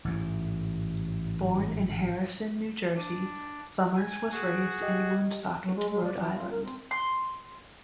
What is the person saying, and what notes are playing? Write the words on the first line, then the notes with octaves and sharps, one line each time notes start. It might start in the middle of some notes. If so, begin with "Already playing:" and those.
Born in Harrison, New Jersey, Summers was raised in Woonsocket, Rhode Island.
A1 G#2
D4
G#5
F#4 G#4
G4 D#5
F#3
G#3
G#3
D5
E3
F4
A#4
C4
C6